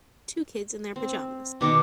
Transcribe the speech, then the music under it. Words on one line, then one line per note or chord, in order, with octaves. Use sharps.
Two kids in their pajamas.
C4
B2 D#3 C#6 D6